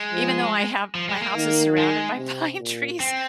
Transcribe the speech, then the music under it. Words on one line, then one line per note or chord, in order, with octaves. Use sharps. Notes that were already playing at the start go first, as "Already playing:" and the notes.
even though I have my house is surrounded by pine trees,
Already playing: G#3
F3
F3
G#3
A#3
D#3
G#3
C3
A#2
C4